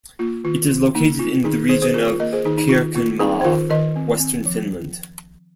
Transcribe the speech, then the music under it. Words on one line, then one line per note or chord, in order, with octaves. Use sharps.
It is located in the region of Pirkanmaa, Western Finland.
A#3 F4
D#3 F4
D#3
A#3 D#4
C4 F4
D#3 D#4 G#4
D#3 G#4 C5
G#4 C5
C4 F4 A#4
F4 A#4
A#3 A#4 D#5
G#4 C5
D#3 D#4 G#4
D#4
D#3 F4
A#3 F4
C4 D#4 G#4
C5
D#3 F4 A#4
D#3 A#4 D#5
C4
C4
F3